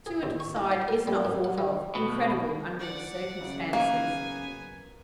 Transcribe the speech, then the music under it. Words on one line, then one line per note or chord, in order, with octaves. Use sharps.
Suicide is not thought of--incredible under the circumstances.
G#4
D#2
C#6
D#4
F#5
A#4
G3
F#2
F#5
G3
B2
D5 F#5
C#3 F#3
A#3 B3 G#5